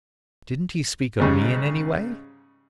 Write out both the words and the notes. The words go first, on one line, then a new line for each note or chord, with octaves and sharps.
"Didn't he speak of me in any way?"
G#2 C#3 G3